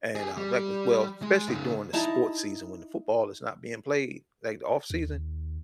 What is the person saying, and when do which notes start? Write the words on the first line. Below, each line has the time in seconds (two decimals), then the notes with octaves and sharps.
And, uh, like well especially during the sports season, when the football is not being played, like, the off-season,
0.15 G4 G#4
0.37 G3
1.22 G#3
1.48 C#3 D#4
1.93 D#4 E4 A5 A#5
4.90 D#2